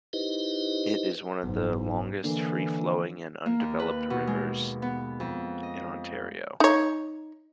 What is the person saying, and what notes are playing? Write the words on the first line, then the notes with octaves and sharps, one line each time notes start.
It is one of the longest free-flowing and undeveloped rivers in Ontario.
D#4 E4 G4 B4 C5 D#5
F#1 B1 G#2
D3 E3 A#3
A#3
D#2
B4
B2
G#3
B3
F2
D#5
D#4 C#5